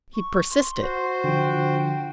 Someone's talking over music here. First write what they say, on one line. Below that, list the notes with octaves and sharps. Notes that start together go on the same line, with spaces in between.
He persisted.
C#6
C6
F#4 C5
D3 F3 G5